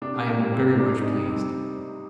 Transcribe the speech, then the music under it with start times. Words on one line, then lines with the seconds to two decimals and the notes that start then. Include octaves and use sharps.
I am very much pleased.
0.02 C3 D4
0.27 A#3
0.39 G3
0.52 C4
0.75 C3 D4
1.00 D#4
1.12 G3
1.26 C4